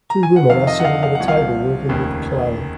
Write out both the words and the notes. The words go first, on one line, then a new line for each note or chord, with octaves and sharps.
Two woman are sitting at a table working with clay.
A#5
G#5
F#5
F2 C3 D#3 F5
D#5
F#5
F5
F5
F#5
C2 C3 F3
F5
F1 D#2 C#3